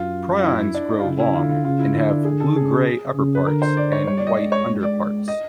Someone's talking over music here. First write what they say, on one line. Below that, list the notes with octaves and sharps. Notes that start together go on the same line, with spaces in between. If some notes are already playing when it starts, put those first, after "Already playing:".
Prions grow long, and have blue-grey upper parts and white underparts.
Already playing: F#2 F4
F4
E4
D4
D#4
F4
C#3 E4
E4
D3 F4
F4
C#3 F4
E4
D3 E4
D4
G#4
A4
C#3 G#4
G#4
C#3
B4
D3 A#4
C5
D5
C#5
G3 C#5
D5
D#5
G#3 D5
C#5
G#3
D5
D#5